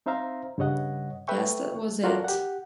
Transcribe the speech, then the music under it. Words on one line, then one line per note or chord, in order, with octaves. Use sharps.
Guess that was it.
C4 D#4 C5 E5 F5 A#5
G2 C#3 G3 C#5 D#5 F#5
A4 B4 E5 G5 C#6
F4 F#4 A4 A#4 D5
G4 F#5